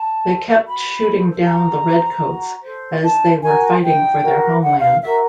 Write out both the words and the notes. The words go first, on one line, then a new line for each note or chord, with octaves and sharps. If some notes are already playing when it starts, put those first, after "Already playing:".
They kept shooting down the Red Coats, as they were fighting for their homeland.
Already playing: A5
A4 C5
F#4 B5
A4 C5
F#4 A#5
A4 C5
F#4
A4 C5
D#4 A5
F#4 A#4 G#5
D#4 G5
F#4 A#4
D#4 F#5
F5
F#4 A#4 E5